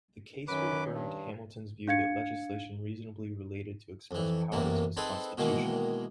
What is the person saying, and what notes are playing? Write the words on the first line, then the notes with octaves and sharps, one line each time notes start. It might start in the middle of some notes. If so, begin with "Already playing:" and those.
The case reaffirmed Hamilton's view that legislation reasonably related to express powers was constitutional.
F#2 D#3 C#4 B4 D6
G2
D4 F5 G#6 C#7
F2 E3
B1 F#2 C3 E3 A#3
C4 D#4 G#4 A4 B4
B2 D#3 E3 G#3 A#3